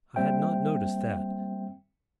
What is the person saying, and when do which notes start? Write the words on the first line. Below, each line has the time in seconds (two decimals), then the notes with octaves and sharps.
I had not noticed that.
0.16 G3 A#3 C4 C5 E5 G5